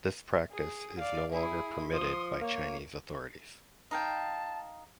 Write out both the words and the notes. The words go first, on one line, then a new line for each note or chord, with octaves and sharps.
This practice is no longer permitted by Chinese authorities.
G#4
D5 F5
E4 G#4
F3 C6 D#6
A#3 C#5
D#4 F5 G5 A5